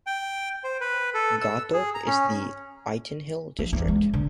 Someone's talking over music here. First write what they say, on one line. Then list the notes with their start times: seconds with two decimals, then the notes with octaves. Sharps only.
Gawthorpe is in the Ightenhill district.
0.07 G5
0.64 C5
0.81 B4
1.14 A4
1.41 E6
1.73 G#4
1.95 A#5
2.06 C#4
3.59 F3
3.73 E2
3.88 G#3
4.14 D3